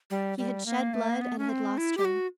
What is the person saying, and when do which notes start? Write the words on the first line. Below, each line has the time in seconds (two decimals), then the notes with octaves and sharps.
He had shed blood and had lost her.
0.10 G3
0.38 G3
0.66 A#3
0.94 A3
1.10 A#3
1.21 B3
1.38 C#4
1.49 C4
1.78 E4
1.97 G4
2.05 F#4